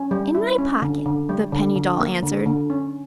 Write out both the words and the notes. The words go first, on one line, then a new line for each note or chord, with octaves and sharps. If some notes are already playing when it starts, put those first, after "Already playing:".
"In my pocket," the penny doll answered.
Already playing: C#4
G3
E4
C#4
D3
D3
G3
D3
D3
A#3
D3
D3
C#4